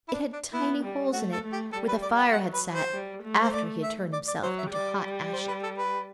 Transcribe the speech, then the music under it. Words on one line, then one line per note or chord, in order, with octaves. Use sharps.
It had tiny holes in it where the fire had sat after he had turned himself into hot ashes.
E4
D4
D4
B3 E4
G3
A3 F#4
A4
A3
G4
G3 A4
B4
D5
G5
F#3 F#5
B4
C5
G3
A3
C5
D5
E5
D5
D5
F#3 C5
E5
G3 D5
C5
B4
A4
B4